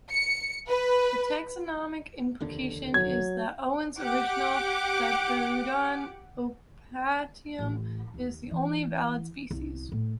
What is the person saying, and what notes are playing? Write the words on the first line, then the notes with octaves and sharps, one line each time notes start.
The taxonomic implication is that Owen's original "Diprotodon optatum" is the only valid species.
C#7
B4
F1 D#2 D3
F#3 G#6
G4 F#5 D6
A1
D#2
E3
C2
A2